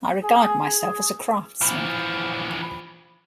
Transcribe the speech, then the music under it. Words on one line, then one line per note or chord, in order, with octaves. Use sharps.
I regard myself as a craftsman.
G#4
E3 F3